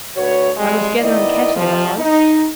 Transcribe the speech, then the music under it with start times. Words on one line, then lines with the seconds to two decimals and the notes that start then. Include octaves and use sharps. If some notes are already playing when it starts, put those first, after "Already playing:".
I was gatherin' cattle, I was.
0.16 D2 F#4 B4 C#5
0.57 F2 G3 G#3
0.99 D#3 B3 E4 D5 D#5
1.55 F2 C3 F3
1.98 D#4